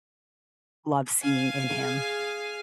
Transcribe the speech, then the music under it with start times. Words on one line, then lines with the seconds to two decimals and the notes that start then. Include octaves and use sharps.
love seeing in him.
1.22 F5 G#5
1.71 G#4